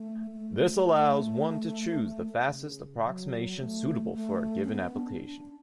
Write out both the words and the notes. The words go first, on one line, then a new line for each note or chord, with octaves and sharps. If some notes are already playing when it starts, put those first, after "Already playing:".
This allows one to choose the fastest approximation suitable for a given application.
Already playing: A3
A3
A3
C#3
F#3
A3
A3
C#4
B3
D4
D4